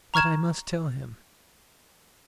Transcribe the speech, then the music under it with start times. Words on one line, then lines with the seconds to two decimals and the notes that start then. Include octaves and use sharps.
"But I must tell him."
0.14 A#5 C#6 F6 G#6 E7